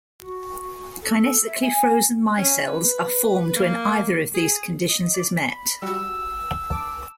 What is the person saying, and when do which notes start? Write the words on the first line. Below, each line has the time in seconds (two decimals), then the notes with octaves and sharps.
Kinetically frozen micelles are formed when either of these conditions is met.
0.21 F#4
1.02 A4
1.47 E5
1.62 G#5
2.38 C#4
2.67 B4
3.56 A#3
4.35 G#4
4.89 D#5
5.14 D5
5.51 B5
5.82 G3 F#4 E6
6.70 A5 D6